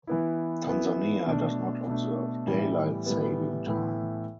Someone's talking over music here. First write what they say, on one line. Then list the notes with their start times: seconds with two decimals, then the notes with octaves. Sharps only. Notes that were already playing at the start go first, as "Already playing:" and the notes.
Tanzania does not observe daylight saving time.
0.07 E3 B3 E4
0.67 E3 B3 E4
1.27 B2 A3 D4
1.87 B2 A3 D4
2.47 A2 E3 G3 B3
3.06 A2 E3 G3 B3
3.67 A2 E3 B3 E4